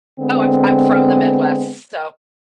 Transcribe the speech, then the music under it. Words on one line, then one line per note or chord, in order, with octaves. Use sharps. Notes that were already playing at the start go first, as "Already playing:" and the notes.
Oh, I'm I'm from the Midwest, so
D3 G#3 B3 C4